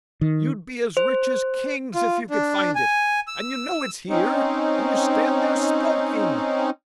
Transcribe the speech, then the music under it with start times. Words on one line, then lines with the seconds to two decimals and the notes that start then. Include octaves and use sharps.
You'd be as rich as kings if you could find it, and you know it's here, and you stand there skulking.
0.21 D#3
0.97 C5
1.94 F4
2.30 D4
2.75 G#5
3.28 E6
4.09 C4 C#4 D#4